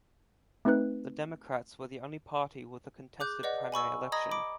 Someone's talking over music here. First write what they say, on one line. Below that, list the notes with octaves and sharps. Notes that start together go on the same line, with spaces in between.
The Democrats were the only party with a contested primary election.
A3 C4 D#4 B4 F#6
G#4 D6 F#6 G6
B4 D5 D#5 F#5
G#5 B5 C#6 E6
D#5 A#5 B5 D#6 G#6 A#6
B5 D6 D7